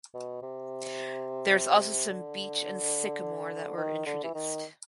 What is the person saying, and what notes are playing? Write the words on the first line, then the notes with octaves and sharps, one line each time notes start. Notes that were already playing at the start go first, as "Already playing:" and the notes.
There is also some beech and sycamore that were introduced.
B2
C3
D3
D#3
D3
E3
D#3